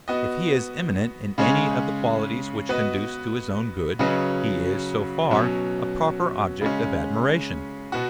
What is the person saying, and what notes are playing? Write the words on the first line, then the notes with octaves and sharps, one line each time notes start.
If he is eminent in any of the qualities which conduce to his own good, he is, so far, a proper object of admiration.
B3 F#4 D#5
C#3 G#3 C#4 G#4 C#5
B3 F#4 B4 D#5
C#3 F#3 C#4 B4 D#5
B2 F#3 C#4
C#3 G#3 C#4
B2 B3 F#4